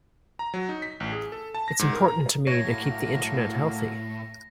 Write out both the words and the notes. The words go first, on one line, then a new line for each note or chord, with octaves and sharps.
Itâs important to me to keep the Internet healthy.
A#5
F#3
D#4
B6
A1
G#4
A4
A5
A#6
G#2
A#4
A#5
A2 F#3 A3 A#3 C#5 A#6